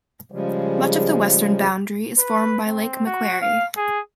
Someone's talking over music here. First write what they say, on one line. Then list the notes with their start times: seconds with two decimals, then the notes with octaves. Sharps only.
Much of the western boundary is formed by Lake Macquarie.
0.32 C#3 F3 G3 G#3
2.18 B4
2.67 C4
3.06 F#4
3.42 F5
3.77 G#4